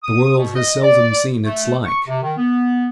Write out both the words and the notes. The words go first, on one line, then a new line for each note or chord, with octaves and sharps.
'The world has seldom seen its like.'
D#6
B2
D#5
D5
A3
C#6
C3
D#3
B3